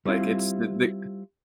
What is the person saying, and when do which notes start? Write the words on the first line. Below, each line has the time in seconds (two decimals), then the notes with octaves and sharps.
like, it's the the
0.05 G3 C4 E4 F4